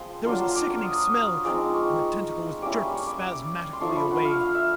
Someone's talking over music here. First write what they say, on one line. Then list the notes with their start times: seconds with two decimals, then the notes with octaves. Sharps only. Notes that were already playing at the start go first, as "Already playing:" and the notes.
There was a sickening smell--and the tentacle was jerked spasmodically away.
Already playing: F3 G#3 C4 C6
0.25 F#3 A#3 D4 F4 C6
0.56 D6
0.70 D6
0.85 D#6
1.44 F3 G#3 C4 D#4 D6
1.74 C#6
2.62 G3 A#3 C#4 E4 D6
2.92 C#6
3.07 D6
3.22 D6
3.73 C6
3.81 F3 A3 D4 C#6
3.96 B5
4.11 F#5
4.25 F5
4.40 F5
4.55 E5